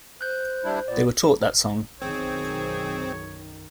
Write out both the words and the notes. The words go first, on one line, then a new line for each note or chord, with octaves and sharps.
They were taught that song.
C5 F#6 G6
G3 D4 E4
A#2 B3 D5
B1 F#2 D#3 C4 G#4 C#5